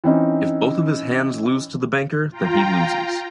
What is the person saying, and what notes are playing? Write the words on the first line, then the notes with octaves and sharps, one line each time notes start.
If both of his hands lose to the banker then he loses.
E3 C4 C#4 D#4
F4 G5 A#5